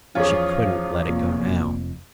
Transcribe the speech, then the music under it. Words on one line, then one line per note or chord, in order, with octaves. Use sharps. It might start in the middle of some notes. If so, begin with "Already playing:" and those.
She couldn't let it go now.
E2 F3 C#4 F4 G#4 C#5
F1 F2 A#2